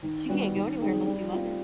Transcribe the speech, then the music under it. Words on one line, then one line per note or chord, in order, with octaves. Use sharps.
she can't go anywhere unless you let her.
D#3
G3 B3 D#4 F#4
D#3
G3 C4 D#4 G#4
G3
C4 F4